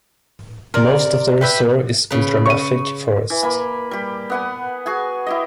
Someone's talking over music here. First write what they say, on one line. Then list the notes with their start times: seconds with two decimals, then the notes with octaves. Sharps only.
Most of the reserve is ultramafic forest.
0.74 C3 A#4 D5
1.41 G4 B4 E5
2.10 C#3 B4
2.46 C#6 D#7
3.30 E3
3.43 A#3 G#5 B5
3.91 G3 G4
4.30 B3 F#5 G#5
4.86 F#4 G#4 G#5
5.26 E4 G4 D#5